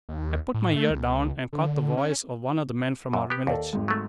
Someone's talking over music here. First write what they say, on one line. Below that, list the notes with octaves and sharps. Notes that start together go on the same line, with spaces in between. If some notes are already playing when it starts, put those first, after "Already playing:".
I put my ear down, and caught the voice of one of the men from our village.
D#2
A2
A3
C#2
D3
C#4
F#2
B3 G4
D#2 A4 D5
G#1 G#2
F#3 A3